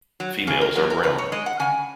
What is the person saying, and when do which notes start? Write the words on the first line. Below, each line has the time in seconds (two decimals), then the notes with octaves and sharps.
Females are brown.
0.20 F#3
0.47 C#3 G#4
0.61 A#4
0.76 F#3 A#4
0.90 A#4
1.03 C#3 B4
1.18 C#5
1.32 G#3 D#5
1.46 F#5
1.60 C#3 G#5